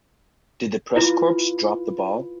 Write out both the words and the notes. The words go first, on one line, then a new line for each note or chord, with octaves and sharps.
Did the press corps drop the ball?
E4 F4 B4